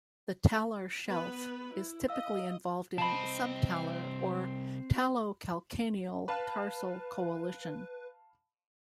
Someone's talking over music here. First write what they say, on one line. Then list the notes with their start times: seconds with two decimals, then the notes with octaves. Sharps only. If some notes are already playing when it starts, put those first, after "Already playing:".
The talar shelf is typically involved in subtalar or talocalcaneal tarsal coalition.
1.08 B3 B4
1.73 E4
2.09 D#5 F5 E6
2.98 C2 C4 D#5 A5 B5
6.28 B4 F5 A5 B5